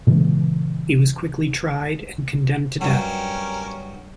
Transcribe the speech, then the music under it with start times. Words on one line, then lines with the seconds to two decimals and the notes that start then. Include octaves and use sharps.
He was quickly tried and condemned to death.
0.07 A#2 C#3 E3 G#3
2.81 G2 F#3 C#4 G4 A#4